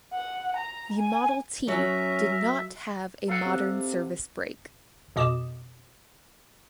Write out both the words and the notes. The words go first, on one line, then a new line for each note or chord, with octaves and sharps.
The Model T did not have a modern service brake.
F#5
A#5
G#5
F#3 C#4 A#4 E5
A4 F5 F#5
C3
F2 B2 D#5 D6 D#6 E7